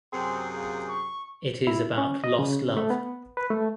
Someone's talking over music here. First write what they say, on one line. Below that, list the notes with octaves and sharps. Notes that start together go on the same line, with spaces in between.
It is about lost love.
F#2 C3 C4 G#4
A#3
C#6
E4
C#4
D#5
C#3
A3
B3
B4
A3